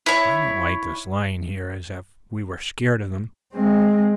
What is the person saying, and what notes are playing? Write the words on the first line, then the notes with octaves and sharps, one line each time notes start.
"I don't like this lying here as if we were scared of them."
E4 C#5
G#3 C4